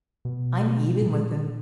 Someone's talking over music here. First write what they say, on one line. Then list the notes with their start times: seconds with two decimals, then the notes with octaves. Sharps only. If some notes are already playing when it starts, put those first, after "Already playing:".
I'm even with him.'
0.25 B2
1.02 A#2